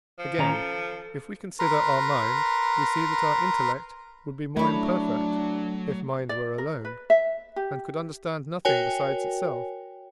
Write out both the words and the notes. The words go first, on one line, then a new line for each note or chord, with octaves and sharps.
Again, if we consider our mind, we see that our intellect would be more imperfect, if mind were alone, and could understand nothing besides itself.
F3
D#3 C#4 A#5
A4
A#4 B4 A#5 C6
F#3 A3 D4 E4 C#5
D5
A#4
B4
E5
G4
F#4 A#4 C#5 G5 G#5